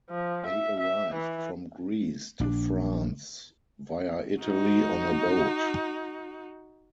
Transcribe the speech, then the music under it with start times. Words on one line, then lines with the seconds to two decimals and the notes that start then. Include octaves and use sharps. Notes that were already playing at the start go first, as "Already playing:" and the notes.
They arrived from Greece to France via Italy on a boat.
0.10 F3
0.47 E5
0.80 E5
1.14 E3
2.40 A#1 C#4 D4
4.41 D#4 F#4